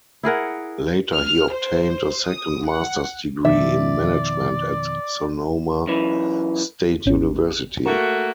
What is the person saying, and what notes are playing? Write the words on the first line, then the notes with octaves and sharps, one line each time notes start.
Later he obtained a second master's degree in Management at Sonoma State University.
E4 G#4 A#4 F#5
F6
C5
D#6
F#5
F2 B2 D#3 D5 E5
F#2 E3
G#1 C#4
A3 A#3 F#4 A#4